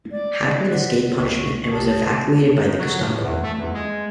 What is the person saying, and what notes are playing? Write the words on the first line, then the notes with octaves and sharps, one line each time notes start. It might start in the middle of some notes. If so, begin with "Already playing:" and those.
Hackmann escaped punishment and was evacuated by the Gestapo.
D5
D#4 F#6
C5 F#5 B6
C#2 C#6 B6
C2 G4 A5 D#6
F#3
A2
E2
A3
E2
G#3